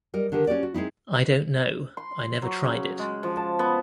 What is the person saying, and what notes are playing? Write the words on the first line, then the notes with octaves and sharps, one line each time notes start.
I don't know, I never tried it.
G3 A#4 D#5
D3 D#3 D4 G4
C#4 F#4 G4 D5
F#4
G#3 C4 D#4 E4
C6
F#3
C#3
G#3
F3
A5
B3